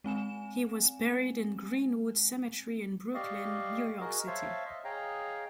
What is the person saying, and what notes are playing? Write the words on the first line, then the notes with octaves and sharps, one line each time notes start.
He was buried in Green-Wood Cemetery in Brooklyn, New York City.
G#3 C4 G#5 E7
G4 D5 D#5 F5 C#6
F#4 G#4 A#4 D#5
C5 C#5 E5 F5 A5 C#6
D#5 E5
G#4 C#5 D#5 F5 G5 A#5